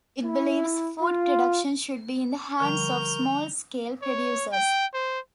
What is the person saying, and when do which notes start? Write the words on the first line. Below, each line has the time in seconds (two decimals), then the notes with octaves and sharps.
It believes food production should be in the hands of small-scale producers.
0.24 E4
1.02 F4
2.60 D3 F3 G3 A#4 C#6 G6 F7
4.02 C#5
4.52 G5
4.94 C5